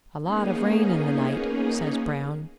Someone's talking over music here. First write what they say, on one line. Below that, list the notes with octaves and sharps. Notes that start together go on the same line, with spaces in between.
"A lot of rain in the night," says Brown.
A#3 B3 C#4 D#4 G#4